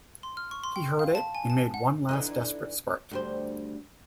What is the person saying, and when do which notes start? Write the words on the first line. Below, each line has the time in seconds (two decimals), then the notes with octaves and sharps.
He heard it and made one last desperate spurt.
0.23 C6
0.37 F6
0.51 C#6
0.64 C6
0.76 G5
0.99 F5
1.15 A5
1.35 G#5
1.50 A5
1.74 F#5
2.09 D3 E3 D#4
3.11 D2 G3 C5